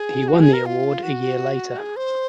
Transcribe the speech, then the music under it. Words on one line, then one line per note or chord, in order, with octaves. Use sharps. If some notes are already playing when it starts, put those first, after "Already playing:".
He won the award a year later.
Already playing: G#4
F#4
G#4
A#4
F4
F#4
G#4
C5